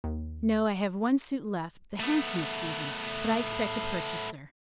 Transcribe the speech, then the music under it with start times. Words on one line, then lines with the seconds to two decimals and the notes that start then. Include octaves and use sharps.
"No, I have one suit left, the handsomest even, but I expect a purchaser."
0.04 D#2
2.00 A3 B3